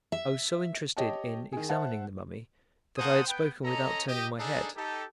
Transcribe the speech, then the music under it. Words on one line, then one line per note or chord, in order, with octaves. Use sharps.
I was so interested in examining the mummy that I had spoken without turning my head.
E5
G4 C#5 D#5 G5 A5
D#3 G#4
C5 E5 F#5 A5
A#3 G#4 C5 F#5 A5 D#6
B3 G5
C#4 A4 D#5 A#5
G4 D#5
D4 D#4 G#4 A4
D#4 G4 A4